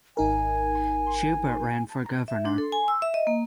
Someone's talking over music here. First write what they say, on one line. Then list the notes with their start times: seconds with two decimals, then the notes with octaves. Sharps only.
Shubert ran for Governor.
0.17 G#1 D#4 A#4 G#5
2.28 E5
2.45 D4
2.58 A4
2.72 G#5
2.88 E6
3.02 E5
3.14 D#5
3.27 A#3